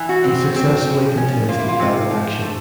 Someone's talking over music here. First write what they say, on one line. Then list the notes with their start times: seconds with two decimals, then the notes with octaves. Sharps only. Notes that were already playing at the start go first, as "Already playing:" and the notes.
He successfully contested that election.
Already playing: E3
0.09 F#4
0.24 C4
0.56 C4
0.87 F3
1.17 C#4
1.49 A#3 F4
1.58 E4
1.68 F4
1.79 C3
2.11 F3
2.42 A3